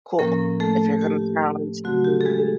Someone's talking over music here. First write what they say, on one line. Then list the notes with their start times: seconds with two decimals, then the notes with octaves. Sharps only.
cool. If you're gonna challenge me,
0.18 A2 F3 A#3 C#4 A#4
0.60 A3 A4
1.01 G4
1.84 C#3 F#3 A3 C4 F#4
2.05 G4
2.21 A4
2.26 G#3 G#4